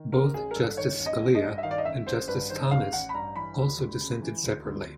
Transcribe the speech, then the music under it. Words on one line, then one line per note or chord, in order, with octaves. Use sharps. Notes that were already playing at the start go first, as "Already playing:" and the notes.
Both Justice Scalia and Justice Thomas also dissented separately.
Already playing: D#3
A1 A#4
A1 G#4
A#4
G2 A4
D#3 C#5
A1
D#5
A1
D#5
G2
E5
D#3 F5
D5
D#5
A1 E5
A1 C5
G2 B4
D#3 C5
A1 F5
A1 F#5
B5
G2 A#5
E3 B5
D2
D2
C#3
E3
D2
D2